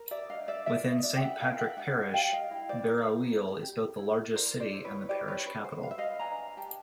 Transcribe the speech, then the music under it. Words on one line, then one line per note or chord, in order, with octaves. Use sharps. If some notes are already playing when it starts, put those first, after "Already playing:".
Within Saint Patrick Parish Barrouallie is both the largest city and the parish capital.
Already playing: A#4
D5 E5
D4 D#5 F5
D5 E5
F4 D5 E5
D#5
D4 D5 E5
G5
E5 F#5
A#4 F5 G5
E5 F#5
D4 E5 F#5
G4 F5 G5
D#5 F5
E4
C5 D5
A#4
E4
G4
E4
A#4 C5 D5
C5 D5
E4
B4 C#5
G4 C5 D5
B4 C#5
D4 B4
C5
B4 F5
E5
D#5 F5
D4 G#5 A#5
G4 G5 A5